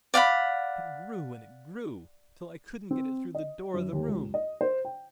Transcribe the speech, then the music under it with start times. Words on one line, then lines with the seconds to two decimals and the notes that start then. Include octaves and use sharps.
It grew and it grew, till I couldn't get it through the door of the room.
0.14 D5 F5 F#5 B5
2.91 C4
3.35 D#5
3.74 F#2
3.92 D#2
4.08 C#2
4.34 D#5
4.61 C5
4.85 G5